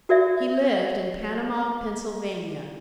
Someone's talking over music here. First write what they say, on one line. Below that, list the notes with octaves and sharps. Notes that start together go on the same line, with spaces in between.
He lived in Panama, Pennsylvania.
F#4 A#4 D5 E5